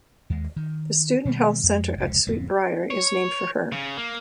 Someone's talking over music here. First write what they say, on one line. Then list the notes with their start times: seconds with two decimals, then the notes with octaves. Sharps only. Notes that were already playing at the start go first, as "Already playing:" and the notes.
The student health center at Sweet Briar is named for her.
0.30 D#2 G#3
0.56 D#3
1.25 B2 D#3 F#3 G3
1.63 F2 G#3
1.98 F1 C#2 C#3
2.27 D1 F2 B3 C4
2.91 C#5
3.72 C#3
3.97 A#3